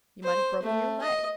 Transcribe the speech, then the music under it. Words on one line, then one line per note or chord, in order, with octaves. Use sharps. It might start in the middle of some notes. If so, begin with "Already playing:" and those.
You might have broken your leg.
C5
A3
D#5